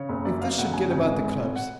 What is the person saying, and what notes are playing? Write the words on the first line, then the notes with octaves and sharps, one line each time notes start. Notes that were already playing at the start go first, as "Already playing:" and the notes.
If this should get about the clubs!
Already playing: C#3 C#5
F#1
F#2 D5
F#2 F5
F#1 F#5
C#3 G#5
G#1 G#5
G#3
G#1
G#1
F#5